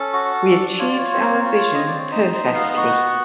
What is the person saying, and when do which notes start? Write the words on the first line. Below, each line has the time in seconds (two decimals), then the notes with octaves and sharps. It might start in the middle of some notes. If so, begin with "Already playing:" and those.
We achieved our vision perfectly.
Already playing: C#4 A4
0.13 F#4
0.46 D4
0.79 F4 C#5
0.89 D5
0.97 C#5
1.12 C4
1.45 F4
1.74 C4 D#5
1.87 D5
1.99 C#5
2.11 D#4 C5
2.33 C5
2.44 B3
2.55 F5
2.77 F#4 F#5